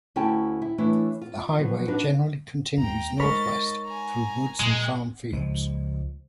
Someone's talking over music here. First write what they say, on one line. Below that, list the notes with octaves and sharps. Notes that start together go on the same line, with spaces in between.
The highway generally continues northwest through woods and farm fields.
D2 C#4 E4 G5 A5
E4
E3 A3 D4 E4 C#5
F4
F3 F#3 B3
D4 D#4 F#4 B4
D#2 G5 A#5
G#3 D#4 A#4 C#5 D#5 B5 A6
G#5 A#5
A#2 G#3
C#2 F3 G#3